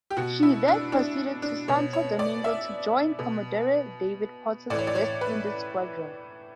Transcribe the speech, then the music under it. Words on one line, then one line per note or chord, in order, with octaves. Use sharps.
She then proceeded to Santo Domingo to join Commodore David Porter's West Indies Squadron.
G4
B2 F#4
E4
D4
D4
D4
B2 C#5
C#5
D5
E5
B2
A2 E3 D5
C#5
D5
C#5
B4